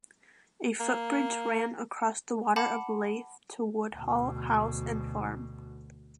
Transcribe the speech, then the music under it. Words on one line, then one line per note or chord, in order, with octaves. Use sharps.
A footbridge ran across the Water of Leith to Woodhall House and farm.
A#3
F#5 A5 B5 D6
D2 B2